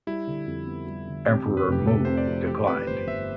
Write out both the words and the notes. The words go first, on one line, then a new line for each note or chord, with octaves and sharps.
Emperor Mu declined.
G3 E4
D3
F2
B3
G3
D3
C3 G4
F2
B4
F1 G4
F1 A4
C3 C5
D5
F2
E3 G4
F2 B4
G1 C5
G1 E5